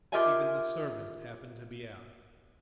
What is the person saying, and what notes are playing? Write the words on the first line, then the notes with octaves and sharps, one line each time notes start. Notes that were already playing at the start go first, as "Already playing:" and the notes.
Even the servant happened to be out.
F4 G4 A#4 D#5 E5 G#5